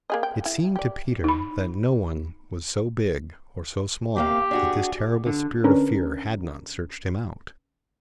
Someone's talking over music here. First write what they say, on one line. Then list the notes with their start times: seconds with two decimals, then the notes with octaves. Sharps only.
It seemed to Peter that no one was so big or so small that this terrible Spirit of Fear had not searched him out.
0.10 A#3 G#4 D#5
0.23 G5
0.45 E4
0.76 G4 D5
1.24 D#4 B5
4.16 C3 A#3 G4 F5
4.51 D4 F#4 G#4
5.27 D3
5.64 D3 C#4 D4 A#4 B4